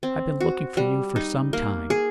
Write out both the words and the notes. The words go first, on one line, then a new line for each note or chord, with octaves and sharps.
I've been looking for you for some time.
C4
F#4
G3
D#4
A#3
G#4